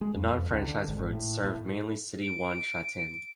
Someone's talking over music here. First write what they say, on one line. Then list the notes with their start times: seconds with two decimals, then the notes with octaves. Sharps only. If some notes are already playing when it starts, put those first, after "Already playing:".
The non-franchised routes serve mainly City One Sha Tin.
0.01 G#3
0.16 F2
0.33 F2
0.50 C#2
0.67 D3
0.88 G#1
1.13 A2
1.45 A2
2.22 D7